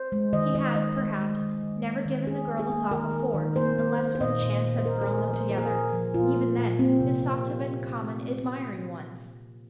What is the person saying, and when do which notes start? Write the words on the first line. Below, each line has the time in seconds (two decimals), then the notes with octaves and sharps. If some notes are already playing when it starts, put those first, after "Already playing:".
He had, perhaps, never given the girl a thought before, unless when chance had thrown them together, and even then his thoughts had been common admiring ones.
Already playing: C5
0.12 G#3
0.33 D#3 D#5
0.55 D#3 D#5
0.76 G#3 D#5
0.97 G#3
1.19 G#3
1.41 D#3
1.63 D#3
1.84 A#3
2.06 D#3
2.27 D#3 G#4
2.48 A#3
2.60 G#4
2.70 A#3
2.91 D#3 A#4
3.13 A#3
3.34 D#3
3.56 A#3 C5
3.78 A#3
3.99 A#3
4.15 C5
4.21 A#2 D#5
4.42 A#2
4.64 A#2
4.79 C5
4.85 A#2 A#4
5.01 G#4
5.07 A#2
5.18 A#4
5.28 F3
5.33 C5
5.49 A#3 A#4
5.58 G#4
5.66 A#4
5.71 A#2
5.93 F3
6.14 A#2 F4
6.36 A#3
6.57 A#2
6.79 A#3 C4
7.00 C3
7.22 C3